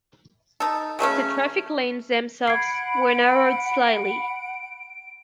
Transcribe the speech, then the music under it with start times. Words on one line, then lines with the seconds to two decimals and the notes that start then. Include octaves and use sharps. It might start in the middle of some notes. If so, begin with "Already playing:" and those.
The traffic lanes themselves were narrowed slightly.
0.60 D#4 A4
0.99 C#3 F#3 A3 C#4
2.47 F#5 B5 G#6 C7 D7